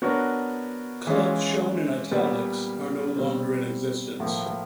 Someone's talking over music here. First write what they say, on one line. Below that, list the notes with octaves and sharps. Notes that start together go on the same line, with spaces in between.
Clubs shown in "italics" are no longer in existence.
B3 D4 F#4 A#4 C#5
E3 G#3 C#4 F4
A#2 G3 B3
B2 G3 C4
A2 F3 A#3